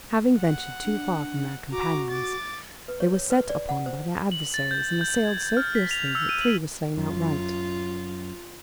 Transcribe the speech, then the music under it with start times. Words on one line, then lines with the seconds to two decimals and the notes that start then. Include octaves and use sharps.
Having ventured too far from their companions, they were set upon by their adversaries, and assailed so fiercely that three were slain outright.
0.39 F#5
0.84 D4
1.72 F#4 A#5 D6
2.10 D6 A6
2.88 B4
3.00 C#5
3.14 C#5
3.30 B4
3.49 D5
3.69 F#5
3.86 C5
4.32 F#7
4.54 A6
4.71 G6
5.01 G6
5.25 G#6
5.57 F6
5.75 B6
5.91 F7
6.15 E6
6.29 D#7
6.41 F#7
6.97 F#2 F4